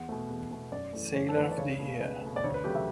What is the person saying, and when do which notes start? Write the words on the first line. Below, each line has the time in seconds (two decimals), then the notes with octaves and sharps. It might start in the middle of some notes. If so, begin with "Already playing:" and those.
Sailor of the Year.
Already playing: E2 F#5
0.09 B2 A3
0.30 E2
0.51 B2 A3
0.72 F#2 D5
0.93 E3 A3
1.14 F#2 C#5
1.29 A4
1.36 E3 A3 B4
1.51 D5
1.57 C#2 C#5
1.79 B2 A3
2.00 C#2 B4
2.21 B2 A3
2.36 D5
2.44 D2 C#5
2.54 B4
2.64 C#3 F#3 A3 G4
2.75 E5